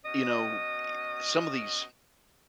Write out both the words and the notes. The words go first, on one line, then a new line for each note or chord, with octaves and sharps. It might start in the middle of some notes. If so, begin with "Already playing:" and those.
you know, ye some of these
B2 C#4 D#5